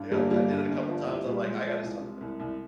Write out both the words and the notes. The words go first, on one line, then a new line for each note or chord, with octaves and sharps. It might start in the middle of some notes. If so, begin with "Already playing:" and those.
Yep. I did it a couple times. I'm like, "I gotta stop with it."
Already playing: G2
G1 G3 A#3
G1 G3 A#3
G2
G1
F3
C2
A#2
G3
A#2 G#3
F3
C2
C3
C2
C2